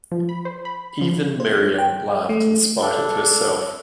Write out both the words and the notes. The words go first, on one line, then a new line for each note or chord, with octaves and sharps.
Even Miriam laughed in spite of herself.
F3
B5
C5
B5
F3
C5
G5
A3
D4 A4